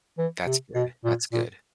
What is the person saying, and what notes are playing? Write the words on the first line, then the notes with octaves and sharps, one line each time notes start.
That's good. That's good.
E3
C3
B2
A#2
A#2